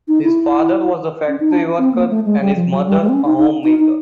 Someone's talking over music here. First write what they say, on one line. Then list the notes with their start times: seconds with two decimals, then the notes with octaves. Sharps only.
His father was a factory worker and his mother a homemaker.
0.08 D#4
0.23 E4
1.28 C#4
1.40 D#4
1.51 D4
1.78 C4
1.94 A#3
2.09 A3
2.25 G#3
2.41 G3
2.56 F3
2.71 F#3
2.87 G3
3.02 G#3
3.09 C4
3.14 C#4
3.25 D#4
3.37 D#4
3.64 D#4
3.80 D#4